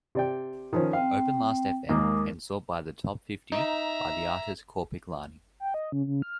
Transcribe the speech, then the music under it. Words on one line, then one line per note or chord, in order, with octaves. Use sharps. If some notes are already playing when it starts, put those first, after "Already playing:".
Open Lastfm and sort by the top-fifty by the artist Korpiklaani.
C3 D5 G5
D#3 F3 C#4
C4 F5 G5
D#2 G#3 A#3 D6 D#6
D#4 E5 A#5
G5
D#5
C#3
C#3
F6